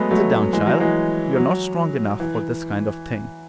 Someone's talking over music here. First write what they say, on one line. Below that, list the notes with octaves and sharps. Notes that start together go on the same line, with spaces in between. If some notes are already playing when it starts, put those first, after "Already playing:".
"Sit down, child; you are not strong enough for this kind of thing."
Already playing: F#3 G#3 A3 B3
F#3 A3
E3 G#3
F#3
E3 G#3
F#3
E3